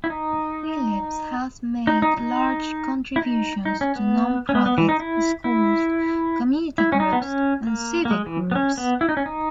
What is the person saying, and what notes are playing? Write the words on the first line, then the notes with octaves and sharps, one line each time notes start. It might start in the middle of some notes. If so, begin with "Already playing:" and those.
Phillips has made large contributions to non-profits, schools, community groups, and civic groups.
E4
D#4
D#4
D#4
D#4
E4
D#4
D#4
C#4
B3
C#4
B3
B3
E3
D#4
E4
E4
E4
C#4
D#4
B3
C#4
A#3
A#3
G#3
E3
B3
C#4
B3
E4
D#4
C#4
D#4